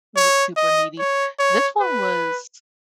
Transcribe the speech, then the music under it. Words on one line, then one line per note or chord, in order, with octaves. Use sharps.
Was it super needy? This one was
C#5
D#5
C#5
C#5
B4